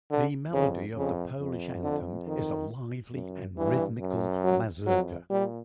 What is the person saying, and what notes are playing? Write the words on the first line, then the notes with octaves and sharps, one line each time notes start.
The melody of the Polish anthem is a lively and rhythmical mazurka.
D3
F2 C#3
F2 C#3
F2
D3
D#3
F#2
G2 E3
F#2
F#3
F2 F#3
A#2 G3